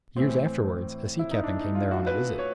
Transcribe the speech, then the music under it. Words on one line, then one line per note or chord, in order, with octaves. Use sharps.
Years afterwards a Sea Captain came there on a visit.
A2 E3 C4
E4
D#4
D4
D#4
F4
F#4
B4
C#5